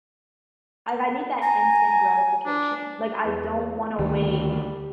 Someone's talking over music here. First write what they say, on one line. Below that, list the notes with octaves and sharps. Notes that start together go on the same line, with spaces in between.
like, I need that instant gratification, like, I don't wanna wait
G#5 A#5
D4
E2
D2 D#3 G3